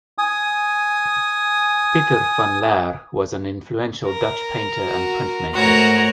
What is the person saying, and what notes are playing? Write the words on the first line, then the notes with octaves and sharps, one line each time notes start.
Pieter van Laer was an influential Dutch painter and printmaker.
G#5 D#6
A#4
F#4
G#2 A3 F#4 A#4 C#5